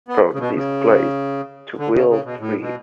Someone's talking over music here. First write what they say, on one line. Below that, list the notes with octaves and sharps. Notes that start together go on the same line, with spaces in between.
From this place to Will-Tree.
B3
C#3
B2
C#3
D3
C#3
C#3
B2
A2
B2